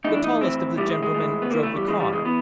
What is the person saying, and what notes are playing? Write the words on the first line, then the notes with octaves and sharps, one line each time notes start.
The tallest of the gentlemen drove the car.
A2 E3 D#4
D4
D#4
A2 E3 C4
A2 E3 G3
G#3
G#3
A2 E3
B3
E2 C#3 E3 A#3
A3
G3
E2 C#3 E3 G#3
G3
G#3
E3 B3